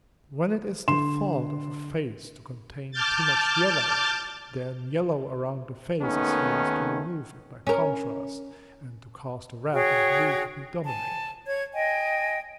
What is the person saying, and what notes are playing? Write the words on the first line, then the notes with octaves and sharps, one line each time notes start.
When it is the fault of a face to contain too much yellow, then yellow around the face is used to remove it by contrast, and to cause the red and blue to predominate.
D3 C6 E7
A5 D6 F6 G6 A6
D#2 D#3 A3 B3 C#4
C#4 A#4
F#4 G#4 C#5 G5
G#5 A5
C#5 G#6
D#5 G5 G#5